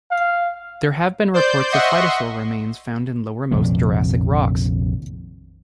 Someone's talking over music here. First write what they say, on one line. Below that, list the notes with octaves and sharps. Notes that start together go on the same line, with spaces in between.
There have been reports of phytosaur remains found in lowermost Jurassic rocks.
F5
C5 D5 G6
D#5 E5 F#5 C6 C#6
A#1 F2 C3 D#3